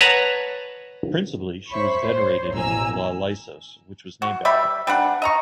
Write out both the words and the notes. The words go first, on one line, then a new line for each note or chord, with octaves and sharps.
Principally, she was venerated in Ialysos, which was named after her.
B4 C#5 F#5 A5 A#5
C5 C#5 E5 B5 C#6
C5 C#5
A1 B2 G#5 A#5 E6
F#4
G3 G4 E5 B5
G3 D4 F#5
D#5 A#5 C#6